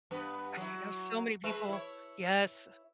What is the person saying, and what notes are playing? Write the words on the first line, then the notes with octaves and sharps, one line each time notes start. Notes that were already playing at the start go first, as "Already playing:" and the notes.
okay I know so many people yes.
G2 B3 B4
F#3 E4
G#3 B4 E5
E4 C#5